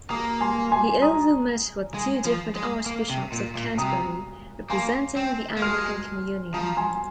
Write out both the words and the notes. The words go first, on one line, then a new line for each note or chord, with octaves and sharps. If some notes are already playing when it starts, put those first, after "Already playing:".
He also met with two different Archbishops of Canterbury representing the Anglican Communion.
A#3 A#5 D#6
G#5 C6
G#5 C6
A#5 D#6
G#3
F3
G#3
A#3
C3
A#2
A#2
C3 A#5 D#6
A#3 G#5 C6
C4
A#3
G#3 C6 F6
F3 A#5 D#6
G#5 C6